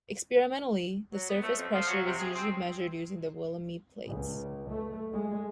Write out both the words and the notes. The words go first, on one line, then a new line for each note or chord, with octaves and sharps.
Experimentally, the surface pressure is usually measured using the Wilhelmy plate.
F#3
B3
A3
F2
F3
F#3
C3
G#4
C4
C#2
A3
G#3